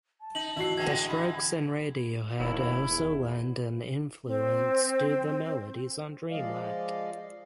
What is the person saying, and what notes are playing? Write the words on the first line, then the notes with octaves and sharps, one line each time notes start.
The Strokes and Radiohead also lend an influence to the melodies on "Dreamland".
A5
D#4 F#7
A1 E4 F#4 C7
D3 E3 G#3 G5 G#6
B5
E1 D#2 E4
E2
C4
F3 G#3 D5 D#5 F5